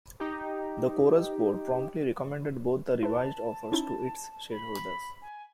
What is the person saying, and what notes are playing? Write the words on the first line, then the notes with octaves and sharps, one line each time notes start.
The Corus board promptly recommended both the revised offers to its shareholders.
D#4 G4
E4 B4 A5
C#4 D#4 E4
B5
G#5